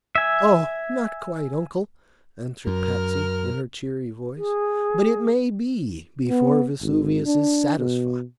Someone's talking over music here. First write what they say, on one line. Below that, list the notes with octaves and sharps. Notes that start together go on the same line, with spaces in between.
"Oh, not quite, Uncle," answered Patsy, in her cheery voice; "but it may be, before Vesuvius is satisfied."
E5 G#5
F#2 A#4 F6
G#4
B3
G#1
D4
B2